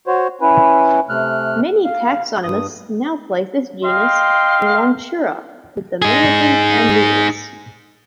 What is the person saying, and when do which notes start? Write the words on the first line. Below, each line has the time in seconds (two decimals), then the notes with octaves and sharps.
Many taxonomists now place this genus in "Lonchura" with the mannikins and munias.
0.07 F#4 C5 C#5
0.41 C#4 E4 B4
1.09 C3 A3 F6 F#6
1.85 F5
2.44 G2 D#6
3.85 D#5 F5 G5 C6
6.02 D#4 G#4